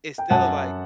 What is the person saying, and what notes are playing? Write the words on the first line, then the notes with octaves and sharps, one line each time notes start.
instead of, like,
G5
F#2 F#5 A5